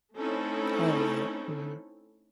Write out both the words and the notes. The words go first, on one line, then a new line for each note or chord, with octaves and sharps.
Oh yeah, mhm.
A3 C4 C#4 D#4 E4 A4